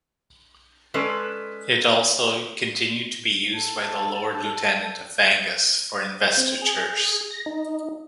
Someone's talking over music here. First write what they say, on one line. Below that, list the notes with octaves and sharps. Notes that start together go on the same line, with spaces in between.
It also continued to be used by the Lord Lieutenant of Angus for investitures.
G#3 C#4 A4 B4 D5
A4 A5
C4
G#4
A#6
D#4